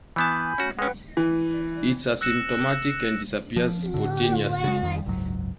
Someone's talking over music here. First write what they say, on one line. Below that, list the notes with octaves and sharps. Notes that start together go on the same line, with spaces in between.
It’s asymptomatic and disappears spontaneously.
E3 B3 G#5 A5 B5 G6
C#4 F#4
G#3 C#4 B4 F#5 G5
E3
E6 F#6 A#6 C#7 E7
F3
A2 D3
C#3 G#3
F2 D#3
F#1 C#2 G#2 F#3